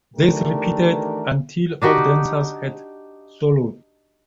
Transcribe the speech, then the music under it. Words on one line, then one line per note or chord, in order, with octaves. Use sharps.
This repeated until all dancers had soloed.
D#3 E3 A3 D4 G4 A#4
D4 D#4 F#4 G4